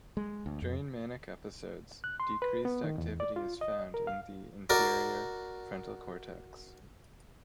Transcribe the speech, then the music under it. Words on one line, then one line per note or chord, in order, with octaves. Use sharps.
During manic episodes decreased activity is found in the inferior frontal cortex.
G#3
D2
F2
F#6
C6
B4
B3
D#3
E2
D5
F4
D#5
A#4
F5
F#4 A#4 D5